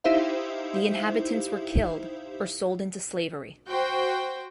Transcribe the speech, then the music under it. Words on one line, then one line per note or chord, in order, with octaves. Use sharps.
The inhabitants were killed or sold into slavery.
D#4 E4 G4 C5 E5 F5
F#4 C5 G5